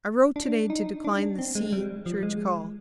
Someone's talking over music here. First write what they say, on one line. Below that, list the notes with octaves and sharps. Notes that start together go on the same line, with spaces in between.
I wrote today to decline the C---- church call.
D4
D#4
D4
C4
G#3
G3
F3
G#3